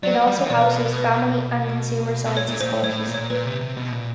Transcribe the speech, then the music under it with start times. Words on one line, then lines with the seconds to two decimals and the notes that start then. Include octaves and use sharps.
It also houses family and consumer sciences courses.
0.03 F#3 D5
0.14 A#3
0.27 G3
0.38 E3
0.49 B2 D5
0.61 B4
0.73 A#4
0.84 A#4
0.97 B4
2.25 B2
2.37 A#2 C#5
2.48 A#2
2.61 A#2 C5
2.71 A2
2.83 A2 C#5
3.07 A#2
3.14 C#5
3.30 A#2 B4
3.45 C3
3.61 C3
3.77 B2
3.92 A#2